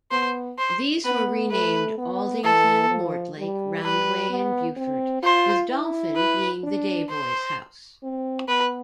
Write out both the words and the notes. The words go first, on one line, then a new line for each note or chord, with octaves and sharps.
These were renamed Aldington, Mortlake, Roundway and Beaufort, with Dolphin being the day-boys house.
B3 C5
C5
B3 B4
A3 B4
B3
E3 A4
F3
G3
G3 B4
B3
C4
F4 C5
E4
B4
D4
C5
C4
B3 B4